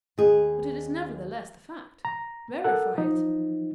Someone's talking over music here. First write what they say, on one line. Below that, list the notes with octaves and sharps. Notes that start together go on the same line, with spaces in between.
But it is nevertheless the fact. Verify it.
D#2 G#4
A#5
A4 A#4 F#5
F3 D#4